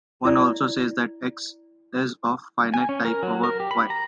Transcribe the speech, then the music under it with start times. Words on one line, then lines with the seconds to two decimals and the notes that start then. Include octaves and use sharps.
One also says that "X" is of finite type over "Y".
0.25 E4 D5
2.74 G#5
2.89 C#4
3.05 A#4
3.23 F#3
3.43 A#4
3.60 G4
3.71 B5
3.90 A#5